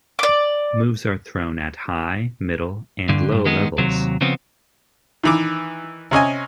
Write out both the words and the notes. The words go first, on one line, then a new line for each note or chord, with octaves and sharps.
Moves are thrown at high, middle, and low levels.
D5 D6
G2 D3
G2
D#3 G#3 B3
D#2 C3 F#3
C#3 F3 B3 C4
D#3 E3 D6
C3 C#4 D#5 G#5